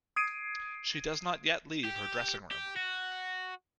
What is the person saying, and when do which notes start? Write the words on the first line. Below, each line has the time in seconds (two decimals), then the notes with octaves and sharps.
She does not yet leave her dressing-room.
0.16 D#6 G#6 C7 D7 D#7
1.85 G4
2.51 G4
2.76 F#4